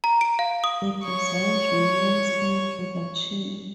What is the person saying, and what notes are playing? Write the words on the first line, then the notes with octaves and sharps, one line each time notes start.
The design remains in production.
A#5
D7
F5
D#6
C#5 C#6